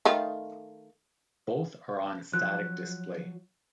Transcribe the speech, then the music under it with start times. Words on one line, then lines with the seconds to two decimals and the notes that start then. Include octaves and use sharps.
Both are on static display.
0.05 D#3 A3 F4
2.33 F3 F#3 F#6